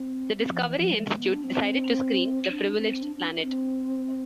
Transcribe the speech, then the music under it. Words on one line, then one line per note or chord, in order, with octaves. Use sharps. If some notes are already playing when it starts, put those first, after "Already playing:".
The Discovery Institute decided to screen "The Privileged Planet".
Already playing: C4
C4
F3
E3
F3
G#3
B3
D4
C4
D4
C4
D4
D4
C4